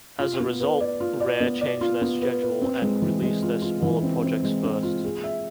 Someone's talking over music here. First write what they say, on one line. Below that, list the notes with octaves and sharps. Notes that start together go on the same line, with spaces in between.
As a result, Rare changed their schedule and released their smaller projects first.
F4
B3
B4
D5
F4
D5
B3
D5
F4
B3
B4
B4
C4
G#3
E3
G#3
F4
F4
E3
C4
C4
G#3
C4
F4
G#4
E5